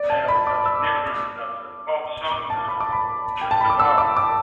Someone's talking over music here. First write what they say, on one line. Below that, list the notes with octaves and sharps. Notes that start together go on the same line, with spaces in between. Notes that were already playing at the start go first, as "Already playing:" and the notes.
Hell, that's different-that's a pop song now, just about.
Already playing: D5
A5
B5
D6
E6
D6
D6
A5
B5
D6
B5
G5
A5
B5
D6
E6
D6
D6